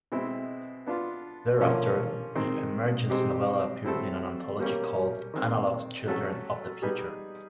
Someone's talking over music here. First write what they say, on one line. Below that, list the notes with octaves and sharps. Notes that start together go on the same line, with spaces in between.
Thereafter the "Emergence" novella appeared in an anthology called "Analog's Children of the Future".
B2 G#3 C4 E4
B3 D4 F4
D3 F3 A#3 C#4 F4
D#3 G#3 C4 D#4
G#3 C4 D#4 G4
F#3 A3 C4 E4 A4
B2 G3 A#3 C#4
D#3 G#3 C4
F#3 A3 C#4 F#4 A4
G3 B3 D#4 G#4 B4